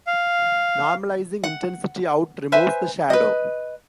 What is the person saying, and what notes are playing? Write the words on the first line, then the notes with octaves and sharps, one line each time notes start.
Normalizing intensity out removes the shadow.
F5
F#5
B4 C5 E5 G#5
B4 D#5